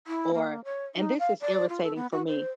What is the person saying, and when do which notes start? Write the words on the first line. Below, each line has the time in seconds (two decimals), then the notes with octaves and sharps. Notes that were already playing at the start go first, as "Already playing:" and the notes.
or and this is irritating for me,
0.07 E4
0.34 A#3
0.65 C#5
0.95 D#4
1.19 F5
1.41 D5
1.69 F4
1.83 A4
1.96 B3
2.12 F#4
2.27 C5